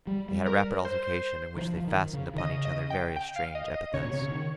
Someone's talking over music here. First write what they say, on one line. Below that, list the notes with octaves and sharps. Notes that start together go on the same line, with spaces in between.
They had a rapid altercation, in which they fastened upon each other various strange epithets.
G3
G3
A#4
C5
D#3
F3
F3
D#3
C#3
D#3
C#3 D#5
D#5
G5
G5
F5
D#5
D#5
C#3 C#5
A#2
C3
C#3
D#3